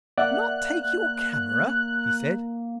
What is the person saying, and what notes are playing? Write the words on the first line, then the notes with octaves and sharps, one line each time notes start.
"Not take your camera!" he said.
A#3 D5 E5 F#5 F#6